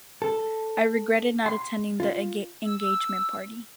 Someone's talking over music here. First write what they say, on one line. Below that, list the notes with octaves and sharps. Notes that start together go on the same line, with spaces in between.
I regretted not attending the engagement party.
A4
C6
F4
E6